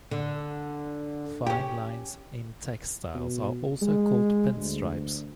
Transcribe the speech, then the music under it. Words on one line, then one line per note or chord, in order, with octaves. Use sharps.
Fine lines in textiles are also called "pin stripes".
D3
C#4 G4
B2
G#3
D2